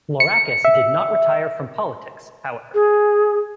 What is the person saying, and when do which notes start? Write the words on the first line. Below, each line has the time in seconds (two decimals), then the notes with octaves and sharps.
Florakis did not retire from politics, however.
0.20 C#7
0.65 E5
2.74 G#4